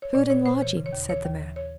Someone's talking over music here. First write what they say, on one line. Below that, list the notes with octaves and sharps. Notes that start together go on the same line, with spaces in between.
"Food and lodging," said the man.
C#5
A#2 D5
A#2 C#5
A#2 C5
E3 C#5
C#3
C#5
D#2
E3 C#5
D#2
E3
C#5